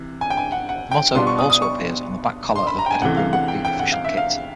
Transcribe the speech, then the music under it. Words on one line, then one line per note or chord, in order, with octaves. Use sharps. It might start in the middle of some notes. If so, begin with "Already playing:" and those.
The motto also appears on the back collar of Edinburgh Rugby official kit.
Already playing: C3 E3
G#5
G5
G#5
F#5
F#5
G5
B2 G3 B3 D4 F4 C6
C#6
D#6
D#6
C#6
C6
B5
A#5
G5
G#5
C#2 C3 E3 A3 F#5
F5
F#5
G5
G5
F#5
F5
E5
F5